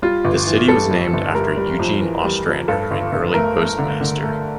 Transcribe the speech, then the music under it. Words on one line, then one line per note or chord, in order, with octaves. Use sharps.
The city was named after Eugene Ostrander, an early postmaster.
G3 F4
G1
E3
G3 A4
F2
G1
G3 A#4
G3
F2
E3
G3
F2
G2 A4
G1
G1
A3 A#4
A3
D3
D3
A3